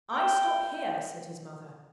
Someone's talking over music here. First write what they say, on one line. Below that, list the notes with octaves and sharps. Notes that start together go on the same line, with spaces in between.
'I stop here!' said his mother.
G5